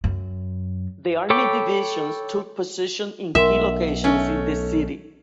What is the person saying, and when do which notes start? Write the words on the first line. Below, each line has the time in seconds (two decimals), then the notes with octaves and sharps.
The army divisions took position in key locations in the city.
0.04 F#2
1.30 A4 C#5 G5 B5 D6
3.35 B1 A#4 E5 C6
4.04 A3 C#4